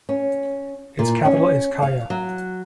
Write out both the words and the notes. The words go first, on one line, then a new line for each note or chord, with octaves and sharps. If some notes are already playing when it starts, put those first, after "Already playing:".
Its capital is Kaya.
C#4
A#2
C#4
F5
F#3